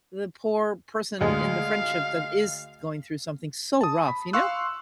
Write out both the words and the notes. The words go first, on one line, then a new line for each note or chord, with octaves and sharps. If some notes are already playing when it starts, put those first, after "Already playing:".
the poor person in the friendship that is going through something so rough, you know?
D2 G#3 F5
A5 D#6
B5
F5 C6 C#6 E6 F#6